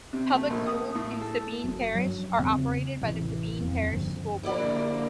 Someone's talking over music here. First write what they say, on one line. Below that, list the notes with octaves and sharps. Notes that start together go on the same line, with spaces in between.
Public schools in Sabine Parish are operated by the Sabine Parish School Board.
C3
A3
A#1
D#6
A2
A4
F#1 F#2
G2 F#3
E2 C#3 C4
A1 C3 E3
D#1 F2
D#1 G2 D3 F3
A#1 D3 G3 A#3 E4 D5